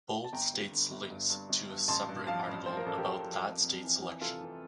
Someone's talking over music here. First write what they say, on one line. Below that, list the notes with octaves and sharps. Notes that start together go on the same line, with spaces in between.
Bold states links to a separate article about that state's election.
A5
G1 G5 A#5
G2
D3
G1
G2
G2
G1
G2
A1 A5 C6
G2
F3 F5 A5
A1
F3 C5
A#4
A1 A4
G4 A#4
A1
F3
F2
F2
E3
E3
C3 F4 A4
E3